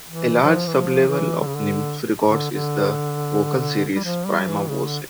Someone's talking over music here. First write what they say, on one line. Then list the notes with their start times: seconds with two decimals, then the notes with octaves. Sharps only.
A large sub-label of Nimbus Records is the vocal series "Prima Voce".
0.08 E3
0.42 F3
0.67 E3
0.75 F3
1.07 E3
1.40 D3
1.47 C#3
1.55 D3
2.28 D3
2.51 D3
3.95 G3
4.04 F3
4.26 G3
4.48 E3
4.70 C#3
4.86 D3